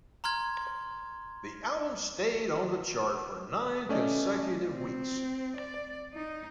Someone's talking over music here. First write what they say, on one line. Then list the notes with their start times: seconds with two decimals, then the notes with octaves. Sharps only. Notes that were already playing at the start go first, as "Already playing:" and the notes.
The album stayed on the chart for nine consecutive weeks.
0.24 A#5 C6 F6 G#6
3.89 A3 C#4 D5 D#5
4.71 C4
5.58 D5
6.14 D#4